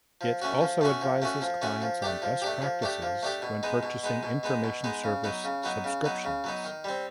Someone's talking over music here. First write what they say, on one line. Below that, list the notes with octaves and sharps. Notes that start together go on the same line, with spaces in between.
It also advises clients on best practices when purchasing information service subscriptions.
F3
A3 C#4 F#4
F3
A3 C#4 F#4
F3
A3 C#4 F#4
F3
A3 C#4 F#4
F3
A3 D4 G4
F3
A3 D4 G4
F3
A3 D4 G4
F3
A3 D4 G4
B2
G#3 B3 D#4
B2
G#3 B3 D#4
B2
G#3 B3 D#4
B2
G#3 B3 D#4
C#3
F#3 B3 D#4
C#3
F#3 B3 D#4
C#3
F#3 B3 D#4
C#3
F#3 B3 D#4
D#3
G3 C4